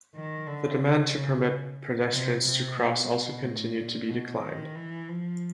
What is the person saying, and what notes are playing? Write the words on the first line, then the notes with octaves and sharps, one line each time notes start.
The demand to permit pedestrians to cross also continued to be declined.
D#3
D3
C#3
C3
C3
B2
A2
A#2
B2
D#3
E3
F3